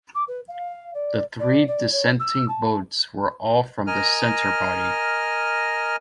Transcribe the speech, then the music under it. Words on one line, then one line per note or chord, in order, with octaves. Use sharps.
The three dissenting votes were all from the Centre Party.
D6
B4
F5
D5
D5
D5
C#5
E6
A5
A#4 D#5 G#5 F6